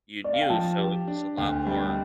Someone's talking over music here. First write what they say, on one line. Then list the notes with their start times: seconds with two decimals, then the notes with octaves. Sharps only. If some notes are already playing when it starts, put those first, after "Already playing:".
you knew, so it was a lot more
0.24 D5
0.33 F5
0.42 G5
0.50 F3 A5
0.79 G4
1.08 D4
1.38 D2 G5
1.67 G3 G5
1.87 G5